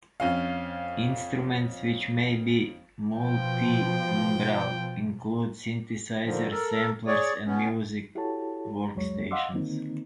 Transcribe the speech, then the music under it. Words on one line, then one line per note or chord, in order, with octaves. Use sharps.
Instruments which may be multitimbral include synthesizers, samplers, and music workstations.
F2 C#4 F5
B2 F3 G5
D3 D#3 F3
A4 A#4
G#4 C#5 D5
B2 B3 C#4
E4 F#4 G4 A4 C#5 A5
C2 F2 F#3 G#3 C#5
D#5 F5 F#5 C6 D6 E6
D3 D#3 A#3 C4 D#4